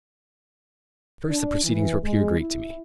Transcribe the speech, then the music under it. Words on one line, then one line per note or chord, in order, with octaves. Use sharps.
At first the proceedings were pure Greek to me.
D4
E3
G#3
E4